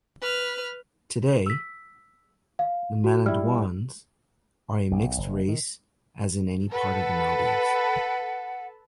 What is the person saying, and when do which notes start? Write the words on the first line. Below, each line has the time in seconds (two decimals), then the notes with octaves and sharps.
Today, the Manaduans are a mixed race as in any part of the Maldives.
0.22 B4 F6
1.46 E6 B6
2.59 F5
3.04 F#4
3.26 G3 E4 F6
4.91 B1
5.18 F#1
5.48 D#3
6.73 A4 B4 F#5